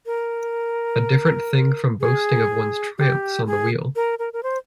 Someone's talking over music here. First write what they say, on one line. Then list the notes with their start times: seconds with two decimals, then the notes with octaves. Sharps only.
A different thing from boasting of one's triumphs on the wheel.
0.06 A#4
2.01 G#4
2.98 G4
3.47 G#4
3.96 A#4
4.19 A#4
4.33 A#4
4.43 C5